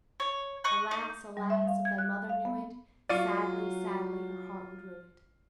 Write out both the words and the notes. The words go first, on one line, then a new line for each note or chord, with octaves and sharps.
"Alas! alas! if thy mother knew it, Sadly, sadly her heart would rue it."
C#5
D#5 C#6 F#6
D#4
G3
E5
F5
G#6
F#6
F5
B3
F#3 F4 D5 F5 C#6 D#7